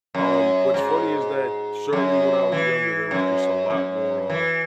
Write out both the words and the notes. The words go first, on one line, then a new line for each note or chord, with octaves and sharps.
um, what's funny is that certainly when I was younger, there was just a lot more, uh
F#2
G#2
F#2
E3
F#2
F#2
E3